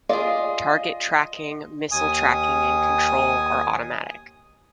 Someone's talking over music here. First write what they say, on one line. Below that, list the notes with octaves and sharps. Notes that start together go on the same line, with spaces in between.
Target tracking, missile tracking and control are automatic.
F4 G#4 D5 D#5
D#2 G#5 D#6